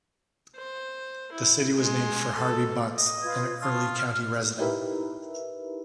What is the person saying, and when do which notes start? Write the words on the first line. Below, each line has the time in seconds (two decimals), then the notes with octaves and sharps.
The city was named for Harvey Bunce, an early county resident.
0.56 C5
1.32 E4
1.77 G#3 C6
2.37 A4
2.97 D#5
3.22 F4 B4 G#6
3.62 F4 A5 C#6 D#6
3.96 F6
4.59 D#4 E4 G4 A#4 B4 E5